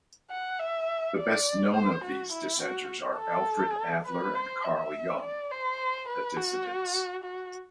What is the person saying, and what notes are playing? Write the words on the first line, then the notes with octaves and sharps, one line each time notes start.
'The best-known of these dissenters are Alfred Adler and Carl Jung...The Dissidents'.
F#5
E5
D5
C5
F#4
E4
F#4
A4
B4
C5
E5
D5
C5
B4
F#4
F#4